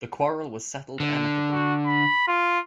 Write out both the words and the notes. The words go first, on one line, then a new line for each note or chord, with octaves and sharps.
The quarrel was settled amicably.
D3
F#4
B5
F4